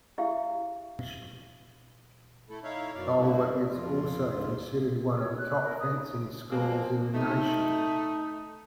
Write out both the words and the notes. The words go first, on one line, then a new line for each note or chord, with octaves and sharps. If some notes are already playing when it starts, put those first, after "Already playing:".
Culver is also considered one of the top fencing schools in the nation.
E4 G4 G#4 E5 F5 G5
A3 E4 A4
D#4 E4 C#5 E5 F5
F#2 B2 D5 F5
G3 A3 A#3 D4 E4 F#4
F2 F4
D2 G#2 F4
C#5
F#6
A#4
D#6
F3 G#3 A#3 C4
A3 D#4